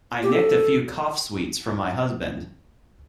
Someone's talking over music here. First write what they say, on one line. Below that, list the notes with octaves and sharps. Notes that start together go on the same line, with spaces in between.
I nicked a few cough sweets from my husband.
G4
A4